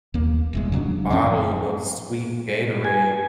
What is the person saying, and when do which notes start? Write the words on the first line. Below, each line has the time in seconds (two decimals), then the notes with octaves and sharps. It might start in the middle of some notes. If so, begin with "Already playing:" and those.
bottle of sweet Gatorade,
0.14 D#2 A#3
0.53 D#1 E2 G#3
0.72 C#3 F#3 A3 D4
1.10 F#2 F3 C4 C#4
2.85 G#5